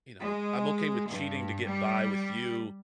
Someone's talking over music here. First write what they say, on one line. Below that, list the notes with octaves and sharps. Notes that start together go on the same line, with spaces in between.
you know, I'm okay with cheating to get by with you,
G#3
G2
G3